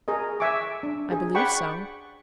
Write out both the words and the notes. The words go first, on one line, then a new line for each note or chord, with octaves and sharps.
"I believe so."
G#4 A#4 D#5
E5 G#5 C#6 D6
D4
G#4
D5 F#5 G5 B5 C#6